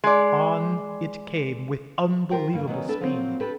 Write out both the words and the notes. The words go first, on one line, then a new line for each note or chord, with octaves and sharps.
On it came with unbelievable speed.
G#3 D5
F4 G4 A#4 C5 G5
G2 A#3
D#3 F#3 G3 B3 C#4
G3 D4 A4 B4
F3 F#3 A#3 C4
D4 G4 A4 B4